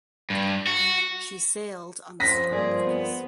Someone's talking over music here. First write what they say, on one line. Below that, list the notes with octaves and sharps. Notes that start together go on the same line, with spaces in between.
She sailed on the "Star of Peace".
G2
F#4
F2 F3 C5 A#6 B6
G2 A#3 G#4 D5
B3